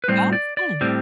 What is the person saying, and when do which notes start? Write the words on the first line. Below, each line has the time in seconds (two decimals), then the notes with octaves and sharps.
Oh, fun.
0.04 B4
0.08 A2 G3 C4 C5
0.33 D5
0.57 D5
0.81 A2 G3 C4